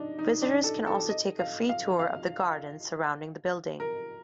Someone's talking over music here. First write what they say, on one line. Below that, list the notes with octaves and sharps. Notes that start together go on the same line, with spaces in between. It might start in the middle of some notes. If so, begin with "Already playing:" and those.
Visitors can also take a free tour of the gardens surrounding the building.
Already playing: D4 D#4
D#4
D4
A4
A4
D#5
F5
F5
F5
A#4